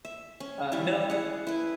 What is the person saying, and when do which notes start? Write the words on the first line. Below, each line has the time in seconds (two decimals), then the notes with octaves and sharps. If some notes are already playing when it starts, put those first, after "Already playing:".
Uh, no.
0.05 E5
0.40 C#4
0.72 G3 E4
1.10 G#4 F#5
1.47 E4 B4